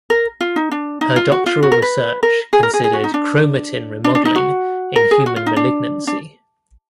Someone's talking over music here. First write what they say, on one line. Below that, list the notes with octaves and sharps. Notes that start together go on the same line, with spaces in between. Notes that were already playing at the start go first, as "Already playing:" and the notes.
Her doctoral research considered chromatin remodeling in human malignancy.
A#4
F4
D#4
D4
D#4
F4
F#4
F4
F#4
A#4
B4
A#4
G#4
A#4
G#4
G#4
F#4
D#4
D4
D4
D4
D#4
F#4
A#4
G#4
F#4
F4
D#4
D4
D4